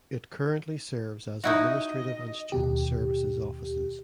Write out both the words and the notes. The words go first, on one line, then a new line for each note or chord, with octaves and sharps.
It currently serves as administrative and student services offices.
D#4 E4 F#4 D#5
D#2 B2 G4